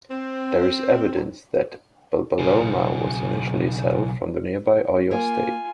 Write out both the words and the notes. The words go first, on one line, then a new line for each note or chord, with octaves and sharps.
There is evidence that Babaloma was initially settled from the nearby Oyo State.
C4
B1 C#3
A#3 F4 G#5